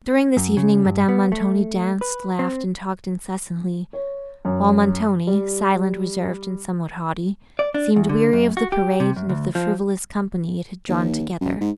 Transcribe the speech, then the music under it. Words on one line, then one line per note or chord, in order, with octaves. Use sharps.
During this evening, Madame Montoni danced, laughed and talked incessantly; while Montoni, silent, reserved and somewhat haughty, seemed weary of the parade, and of the frivolous company it had drawn together.
F#2
C#3
G2
B3
A3
B4
C4
C#5
F#2
G3
D5
D4
E2
D3
F#2
F#4
G4
C3
F#2
D2
F3
D#2
F#2
G#2